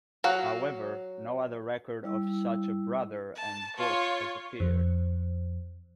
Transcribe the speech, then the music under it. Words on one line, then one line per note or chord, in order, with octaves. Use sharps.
However, no other record of such a brother and book has appeared.
F#3 F5 F#5
G3 E4 E6
A5
F4 C#5
F2